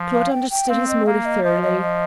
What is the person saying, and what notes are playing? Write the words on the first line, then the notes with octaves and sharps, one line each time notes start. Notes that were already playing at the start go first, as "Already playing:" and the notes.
Claude understood his motive thoroughly.
Already playing: F3
F5
G5
G5
C4 F5
D#5
A#3 F5
D#5
F3 D#5
D#5
D#5